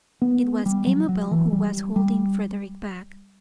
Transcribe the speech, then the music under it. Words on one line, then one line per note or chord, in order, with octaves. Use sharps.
It was Amabel who was holding Frederick back.
B3
G3
F#3
F#3
E3
G3
G3